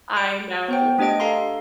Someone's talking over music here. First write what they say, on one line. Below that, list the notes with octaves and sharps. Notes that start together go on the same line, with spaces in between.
I know.
D7
B3 C5 G5
A3 D4 G4 D#5 D7
A4 F5 A#5 C6